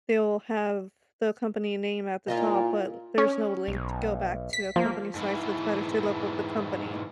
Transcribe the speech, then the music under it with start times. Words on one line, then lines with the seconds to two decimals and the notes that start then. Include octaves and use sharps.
they'll have the company name at the top but there's no link to go back to a company site so it's better to look up the company
2.28 A#2 E4 F4 D#5
3.18 C#4
3.68 B1
4.53 B6
4.76 F3 A#3
5.15 G#2 E3